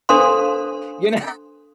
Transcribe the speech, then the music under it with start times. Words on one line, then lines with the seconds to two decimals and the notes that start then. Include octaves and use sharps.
you know?
0.09 D4 A4 C5 F5 C6